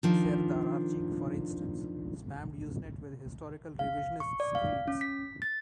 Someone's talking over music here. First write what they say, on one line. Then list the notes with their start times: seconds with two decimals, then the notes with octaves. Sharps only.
Serdar Argic, for instance, spammed Usenet with historical revisionist screeds.
0.03 D#3 F3 D4
3.79 F5
4.20 C#6
4.40 D5
4.55 F5
4.88 C#4
5.01 B6
5.42 A6